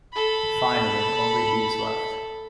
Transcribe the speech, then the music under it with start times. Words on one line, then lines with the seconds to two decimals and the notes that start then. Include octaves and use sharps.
Finally, only he is left.
0.14 A4 B5